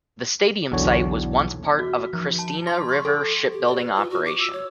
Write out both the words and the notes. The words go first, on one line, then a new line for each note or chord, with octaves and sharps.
The stadium site was once part of a Christina River shipbuilding operation.
B1 E2 D3 F#4 C#5
F#4
F3
A5
C6
C#6
A4
G4
D5
B4
F4
F#4
D6
E6
C#5